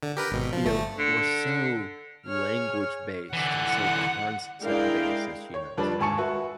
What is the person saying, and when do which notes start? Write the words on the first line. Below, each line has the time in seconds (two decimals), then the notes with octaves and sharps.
you know, we're so language based and so concept based as humans,
0.03 D3
0.17 G4 A#4 B4
0.31 G#1 B2
0.53 F3
0.65 G1 A3
0.99 D3
2.26 G#4 C#5 F6
3.33 D3 E3 F#5
4.62 G#3 D4 E4 A#4 F5 G5
5.54 C#5
5.78 F2 G3 D4 B4
5.99 D#2 G#2 G#5 A5 C#6 C#7
6.18 F#4 B4 E5